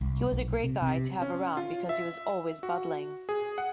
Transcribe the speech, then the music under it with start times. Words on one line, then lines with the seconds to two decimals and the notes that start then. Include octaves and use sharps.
He was a great guy to have around because he was always bubbling.
0.01 C2
0.32 B1
0.64 C3
0.82 C3
1.22 C#4
1.57 F4
1.89 E5
2.63 F#4
3.29 G#4
3.58 F#5